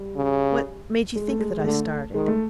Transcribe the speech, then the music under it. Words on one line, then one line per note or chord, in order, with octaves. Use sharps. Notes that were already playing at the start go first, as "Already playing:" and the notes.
What made you think that I started?
Already playing: G3
C#3
G#3
A3
G#3
G#3
D3 A3
D#3 G#3
A3